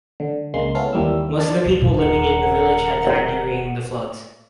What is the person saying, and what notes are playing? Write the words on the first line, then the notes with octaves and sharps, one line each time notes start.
Most of the people living in the village had died during the floods.
D3
C#2 G#3 A#3 C6
B3 C#4 E4 A4 F5
D#2 E3 G3 A#3 E6
D4 A6
D#1 G3 G#4 A#4 F#5